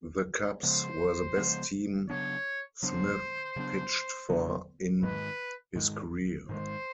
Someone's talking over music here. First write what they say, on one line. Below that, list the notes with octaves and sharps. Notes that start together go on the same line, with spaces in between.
The Cubs were the best team Smith pitched for in his career.
C#3 F3 G#3 B3 C5
C#3 F3 G#3 B3
C#3 F#3 B3 D4 C#5
C#3 F#3 B3 D4 C5
C#3 F#3 B3 D4
C#3 F#3 B3 D4
G#2 D#3 G#3 B4
G#2 D#3 G#3
G#2 D#3 G#3 C5